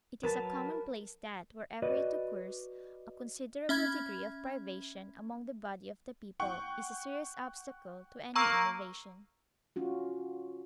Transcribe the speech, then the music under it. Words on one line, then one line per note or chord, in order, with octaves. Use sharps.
It is a commonplace that, wherever it occurs, a considerable degree of privation among the body of the people is a serious obstacle to any innovation.
F#3 A#4 B4 A5
F#4 B4 D5 D#5
C#4 E5 B5 G#6
F#5 G5 C#6
A#3 A#5 C#6 E6
C#4 F4 F#4